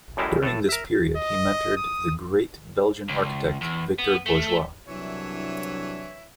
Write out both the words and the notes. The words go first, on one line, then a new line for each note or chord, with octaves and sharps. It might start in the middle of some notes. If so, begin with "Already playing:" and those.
During this period, he mentored the great Belgian architect, Victor Bourgeois.
F#2 A2 G3 G#3 E4
A2 A4 A5
A#4 E5
D#5
D#6
C#2
E2
B3
A3
C2 E3 F#3 D4 E4 C#5